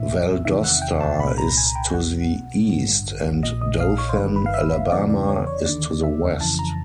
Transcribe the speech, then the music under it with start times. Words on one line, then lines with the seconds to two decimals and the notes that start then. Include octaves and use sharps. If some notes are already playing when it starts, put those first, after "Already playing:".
Valdosta is to the east, and Dothan, Alabama, is to the west.
Already playing: B1 A2 E3 E5
0.45 E2 C3 D#3 E5
0.64 F#5
0.82 G5
1.00 A5
1.19 C2 A#2 B5
1.38 A#5
1.57 G#5
1.75 G5
1.94 B1 B2 F#5
2.68 A1 G2 D3
3.43 A#1 A#2 D#5
3.61 D#5
3.80 F5
3.98 C#5
4.09 C5
4.16 G1 G2 D#3 B4
4.36 B4
4.46 F5
4.54 E5
4.73 E5
4.91 E2 C#3 E3 D5
5.10 D5
5.29 C#5
5.47 C#5
5.66 D#2 D3 D5
6.03 E5
6.40 F2 C#3 E3 A5
6.59 A#5